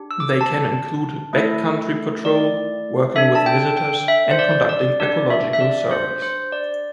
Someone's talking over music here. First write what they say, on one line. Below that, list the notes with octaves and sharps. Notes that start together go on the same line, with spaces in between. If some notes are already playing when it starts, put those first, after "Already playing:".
They can include backcountry patrol, working with visitors, and conducting ecological surveys.
Already playing: D4 G4
E6
D6
E6
A5
A3 E4 A4
D5
D4 A4 E5
A5
G5
G5
E5
C5
D5
D5
D4 G4 D5
E5
E5
D5
C5
C5
D5